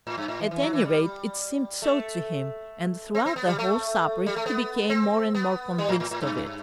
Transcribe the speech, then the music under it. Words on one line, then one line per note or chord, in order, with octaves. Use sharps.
At any rate it seemed so to him, and throughout the whole supper he became more and more convinced of it.
A2
G2
A2
E3
E3
F#3
E3
G3
A3
C4
C4
B3
G3
A3
G3
A3
B3
C4
B3
G3
A2
A2
A2
G2